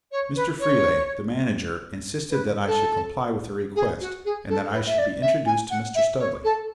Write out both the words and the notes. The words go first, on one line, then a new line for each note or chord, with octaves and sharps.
Mr. Freleigh, the manager, insisted that I should comply with the request, and that I should be introduced to Mr. Studley.
C#5
B4
C#5
B4
A4
G#4
F#4
G#4
A4
B4
E5
D5
E5
G#5
F#5
E5
C#5
A4